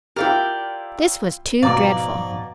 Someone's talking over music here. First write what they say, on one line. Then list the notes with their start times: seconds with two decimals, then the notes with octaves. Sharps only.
This was too dreadful.
0.16 E4 F4 G4 A#4 D5 G5
1.63 G#2 B2 F3 D5 F5 A#5 D6